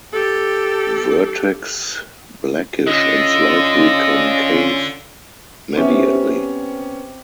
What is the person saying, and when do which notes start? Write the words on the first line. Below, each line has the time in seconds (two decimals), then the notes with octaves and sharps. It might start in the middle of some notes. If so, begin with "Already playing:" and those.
Vertex blackish and slightly concave medially.
0.12 G4 A4
2.87 D3 C#4 F4 D#5
5.76 C3 B3 C#4 G4